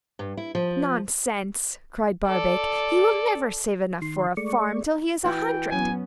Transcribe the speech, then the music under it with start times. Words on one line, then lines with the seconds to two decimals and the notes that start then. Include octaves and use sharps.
'Nonsense,' cried Barbaik, 'he will never save enough for a farm till he is a hundred.
0.19 G2
0.37 E4
0.55 F3
2.27 A4 D5
4.02 D#3 C6
4.37 G#3 A3 D5 C#6
5.24 E3 E4 F#4 G5
5.71 F#3 B3 C#4 G#5